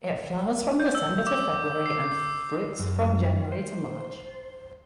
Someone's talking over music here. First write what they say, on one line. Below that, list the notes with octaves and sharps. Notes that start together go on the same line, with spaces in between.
It flowers from December to February and fruits from January to March.
G6
E6
D6
C7
F#2
C5